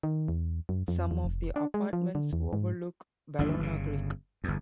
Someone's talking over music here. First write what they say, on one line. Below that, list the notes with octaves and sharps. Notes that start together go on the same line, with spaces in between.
Some of the apartments overlook Ballona Creek.
D#3
E2
F#2
F2
E2
F1
D4
G#3
F3
D3
E2
G#2
G1 D#2 F3 D4
G1 A#2 C#3
G1 E2